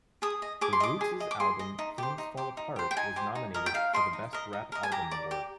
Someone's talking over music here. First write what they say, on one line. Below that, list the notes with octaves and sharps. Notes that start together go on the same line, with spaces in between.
The Roots' album "Things Fall Apart" was nominated for the Best Rap Album award.
G#4 D#6
D#5
G#4 D6
C6
D#5 D6
G#4
D#5
D6
G#4 C6
D#5
D#4
G4 C5
D#4
G4 C5
D#4
G4 C5
G5
D#4 G#5
G4 C5
D#4
A#4 D#5
G5
D#4 F5
A#4 D#5 C6
D#4
A#4 D#5
D#4
A#4 D#5
G#5
G4 A#5
D5
G4